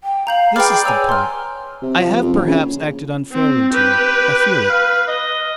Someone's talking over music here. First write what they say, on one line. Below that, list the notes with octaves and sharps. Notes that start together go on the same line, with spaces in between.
This is the point: I have perhaps acted unfairly to you; I feel it.
G5
F5 A#5 G6 F#7
G#4 B4 D5 G5 B5 F6
C#5 G#5 A#5 E6
C6 F6
C3
F3
F2
A#1
C#3
C4
G4 B4
F5
D#5